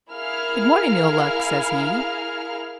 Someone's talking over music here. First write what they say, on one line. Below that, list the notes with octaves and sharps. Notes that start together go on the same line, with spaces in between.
"Good-morning, Ill-Luck," says he.
E4 G#4 A#4 F5 F6